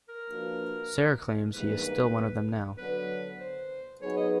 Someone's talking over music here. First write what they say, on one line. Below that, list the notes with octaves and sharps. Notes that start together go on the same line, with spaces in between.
Sarah claims he is still one of them now.
A#4
F3 A#3 D4 F#4 B4
G#2 E3 G3 A#3 D4 B4
D3 F#3 B3 B4
C5
F#3 B3 D#4 G#4 B4 C#5
D#5